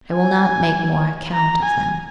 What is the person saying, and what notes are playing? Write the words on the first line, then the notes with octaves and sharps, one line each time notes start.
I will not make more account of them.
G#5
A#5
G#5